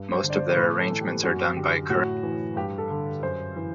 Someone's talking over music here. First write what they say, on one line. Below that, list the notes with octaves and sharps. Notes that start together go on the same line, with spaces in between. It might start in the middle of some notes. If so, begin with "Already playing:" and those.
Most of their arrangements are done by current or former members of the group.
Already playing: G2
C5
D3
D5
C5
C5
A2 B4
A4
E3
G4
F#2 F#4
D3 G4
A2 F#4
E3
G2 G4
A4
D3
F#2 C5
E3